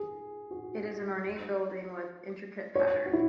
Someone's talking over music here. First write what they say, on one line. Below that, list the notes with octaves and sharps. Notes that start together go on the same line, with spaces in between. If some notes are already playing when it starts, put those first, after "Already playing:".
It is an ornate building with intricate pattern.
Already playing: G#4
F#4
C#5
F#4
E4